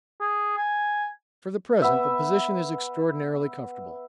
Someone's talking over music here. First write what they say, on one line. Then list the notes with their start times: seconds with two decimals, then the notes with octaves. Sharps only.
For the present the position is extraordinarily comfortable.
0.20 G#4
0.57 G#5
1.82 B3 E5